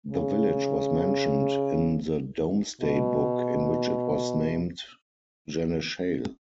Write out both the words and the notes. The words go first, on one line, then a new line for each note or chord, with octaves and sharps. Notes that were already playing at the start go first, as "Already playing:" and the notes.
The village was mentioned in the Domesday Book, in which it was named "Geneshale".
C#3
B2